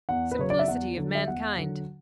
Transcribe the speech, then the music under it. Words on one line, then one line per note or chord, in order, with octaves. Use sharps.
Simplicity of mankind!
E2 F#5
B4
C#3 F#3 C#5
D5
E5
E2 F#5
D3 F#3
E5
E2 F#5
D3 F#3